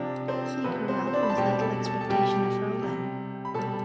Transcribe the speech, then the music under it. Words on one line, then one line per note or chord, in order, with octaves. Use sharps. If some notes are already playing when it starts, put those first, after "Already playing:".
He grew up with little expectation of ruling.
Already playing: C3 F3 D4 D5
C4 C5
C3 F3 B3 B4
C4 C5
C5
D4 D5
B5
A5
B2 G3 G4 G5
A4 A5
A4 A5
A5
B2 G3 G4 G5
C3 G3
B5
B2 G3 A4 A5